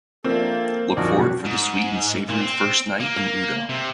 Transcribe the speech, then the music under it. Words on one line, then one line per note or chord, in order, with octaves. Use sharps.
Look forward for the sweet and savory first night in Udo!
F3 A#3 C4 D4 A4 E5
A#1 F2 D#4 F#4 A#4 D5
F#2 B2 C#4 F#4 G4
G#2
A#2
C4
A#3
A#3
C3